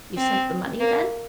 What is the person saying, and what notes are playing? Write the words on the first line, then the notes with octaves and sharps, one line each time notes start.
"You sent the money, then?"
C4
A#3